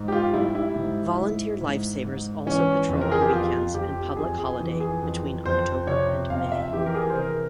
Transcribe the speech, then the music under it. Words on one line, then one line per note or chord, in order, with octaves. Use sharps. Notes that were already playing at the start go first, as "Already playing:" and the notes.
Volunteer Life Savers also patrol on weekends and public holiday between October and May.
Already playing: G#2
G4
F4
G3 E4
E4
G#2
G#2
G#2
G#2
E3 C#4
F2
A#4
G#4
G4
F2 F4
F2 G4
F2 G#4
G#4
E3
G#4
F2
F2 C5
C3 C#5
F2 F5
E5
E3 G4
A#4
G#4
C5
C3 A#4